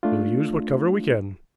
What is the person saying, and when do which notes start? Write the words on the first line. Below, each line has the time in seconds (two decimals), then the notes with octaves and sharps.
"We'll use what cover we can."
0.03 A3 D4 F4